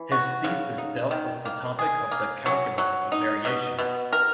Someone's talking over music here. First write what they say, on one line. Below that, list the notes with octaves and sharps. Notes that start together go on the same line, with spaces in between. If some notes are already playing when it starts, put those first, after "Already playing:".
His thesis dealt with the topic of the calculus of variations.
Already playing: E3
F#4
C#3
D#4
D#3
A#3
G#4
A#3
F#3
F#3
D#4
B2
B2
A#4